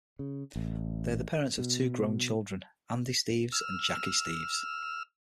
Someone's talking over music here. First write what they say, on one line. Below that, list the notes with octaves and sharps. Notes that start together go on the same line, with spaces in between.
They are the parents of two grown children: Andy Steves and Jackie Steves.
C#3
A1
B2
E6 F6